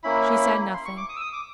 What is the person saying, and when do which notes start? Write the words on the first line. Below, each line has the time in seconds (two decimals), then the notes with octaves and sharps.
She said nothing.
0.04 A#3 C#4 E4 B5
0.74 C6
0.85 C#6
0.97 D6
1.09 D#6
1.17 E6
1.21 D#6
1.33 D6